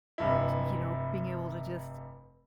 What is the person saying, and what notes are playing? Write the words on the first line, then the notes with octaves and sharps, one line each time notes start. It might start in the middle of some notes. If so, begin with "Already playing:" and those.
y you know, being able to just
F1 G2 E4